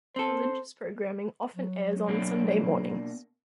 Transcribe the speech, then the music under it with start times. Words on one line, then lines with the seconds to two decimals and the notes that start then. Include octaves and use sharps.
Religious programming often airs on Sunday mornings.
0.16 C4 A4 C5
1.56 F#3
2.08 B2 A#3 D4